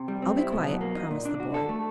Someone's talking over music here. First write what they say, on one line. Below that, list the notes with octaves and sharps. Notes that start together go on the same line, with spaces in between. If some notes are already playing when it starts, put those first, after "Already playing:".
"I'll be quiet," promised the boy.
Already playing: C3
G3
C4
E4
B2
F#3
A#3
D#4
A#2
D4
F#4
A4
A3